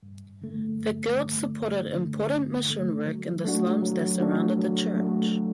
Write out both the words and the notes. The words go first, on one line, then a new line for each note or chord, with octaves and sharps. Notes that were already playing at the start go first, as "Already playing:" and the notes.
The Guild supported important mission work in the slums that surrounded the church.
G2
D3 A3
G2
D3 A3
G2
D3 A3
G2
D3 A3
F#3
A3 D4 F#4
F#3
A3 D4 F#4
F#3
A3 D4 F#4
F#3